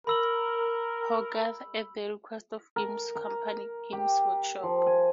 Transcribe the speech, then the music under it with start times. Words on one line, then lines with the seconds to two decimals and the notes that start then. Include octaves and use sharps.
Hogarth at the request of games company Games Workshop.
0.07 A#4 B5 E6 F#7
2.76 A#4
3.15 A#5
3.93 G4
4.63 F3
4.86 G#5